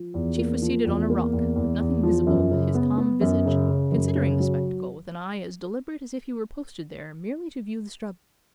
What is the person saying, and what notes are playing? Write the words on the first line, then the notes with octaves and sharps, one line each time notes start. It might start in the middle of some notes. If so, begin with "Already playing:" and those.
The chief was seated on a rock, with nothing visible but his calm visage, considering the spectacle with an eye as deliberate as if he were posted there merely to view the struggle.
Already playing: F3
E2
A#3
F3
E2
A#3
E2
E2
E2
F3
F#2
C#3
B3
B3
F#2
C#3
C#3
F#2
C#3
F#3